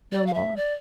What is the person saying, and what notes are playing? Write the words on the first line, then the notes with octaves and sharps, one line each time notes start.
"No more."
D5
F5
E5
D5